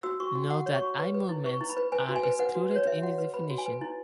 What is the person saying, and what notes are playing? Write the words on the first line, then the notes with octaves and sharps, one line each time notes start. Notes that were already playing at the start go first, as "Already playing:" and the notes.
Note that eye movements are excluded in the definition.
F#4 E6
F#4 C#6
F#4
F#4 F#5
C#5
C#6
F#4
B4
B4
E4
B4 C#6
E4
B5
B4
B4 G#5
F#4
G#5
B4
B4 F#5
F#4
B4 C#5
B4 E5
F#4 F#5
B4
B4 B5
F#4
G#5
B4
E4